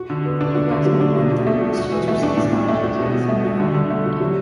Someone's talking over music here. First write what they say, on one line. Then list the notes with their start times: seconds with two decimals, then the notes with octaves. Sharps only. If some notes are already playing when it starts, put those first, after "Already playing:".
Approximately one third of the students receive scholarships based on merit and need.
Already playing: F#4
0.10 D3
0.25 B3
0.41 D4
0.55 F#4
0.71 D3
0.86 F#3
1.01 D4
1.16 B2
1.31 B2
1.47 A3
1.61 F#4
1.77 F#4
1.92 E3
2.08 A3
2.23 D4
2.37 A2
2.53 A2
2.68 A3
2.83 F#4
2.99 B2
3.14 B2
3.29 A3
3.45 F#4
3.60 D3
3.74 D3
3.90 A3
4.06 F#4
4.20 F#3